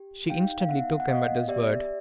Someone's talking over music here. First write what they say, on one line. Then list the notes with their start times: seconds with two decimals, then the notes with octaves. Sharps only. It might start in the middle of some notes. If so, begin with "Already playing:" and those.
She instantly took him at his word.
Already playing: G4
0.29 D#4 F5 G5
0.61 F5
0.69 B3 E5 F#5
1.00 F#5
1.09 B3 D#5 F5
1.48 G4 D5 E5